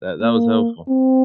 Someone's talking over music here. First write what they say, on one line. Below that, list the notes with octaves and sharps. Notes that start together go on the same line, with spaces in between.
That that was helpful.
A#3
C4